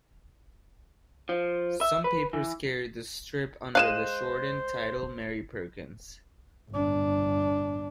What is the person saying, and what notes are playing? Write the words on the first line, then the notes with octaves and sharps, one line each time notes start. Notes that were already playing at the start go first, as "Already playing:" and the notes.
Some papers carried the strip under the shortened title Mary Perkins.
F3
E5
B4
E3
G#3 C5 F5 F#6 D#7 E7
G1 D4